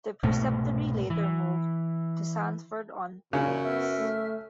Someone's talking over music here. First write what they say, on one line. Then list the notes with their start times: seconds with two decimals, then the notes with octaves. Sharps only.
The preceptory later moved to Sandford-on-Thames.
0.23 C2 G#2 B2 A3
1.10 E3
3.33 F#2 A#2 C#3
3.64 B3 E5 E6 F6
3.98 A3